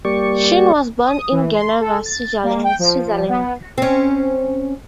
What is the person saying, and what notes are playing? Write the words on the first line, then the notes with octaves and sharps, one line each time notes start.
Chin was born in Geneva, Switzerland.
G3 A#3 G4 D5 C#6
D#6
E3
C6
A4
A6
A#3
G5
F3
B3
C4 C#4